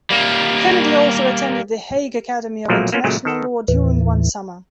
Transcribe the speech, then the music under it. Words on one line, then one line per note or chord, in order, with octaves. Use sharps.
Kennedy also attended the Hague Academy of International Law during one summer.
G3 A#3
B1 A#2 F3 F#3 A3 A#3
A#3 B3 C#4 F4
A#2 C#3 F#3 G#3 A3
D#3 A4
D#2 A2 E3